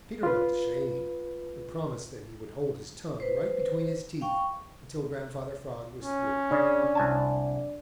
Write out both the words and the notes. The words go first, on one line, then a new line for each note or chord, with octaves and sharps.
Peter looked ashamed and promised that he would hold his tongue right between his teeth until Grandfather Frog was through.
F4 B4
B4 C5
F5 G5 C#6
C#4
C#3 D4 D5
C2 G#5 A5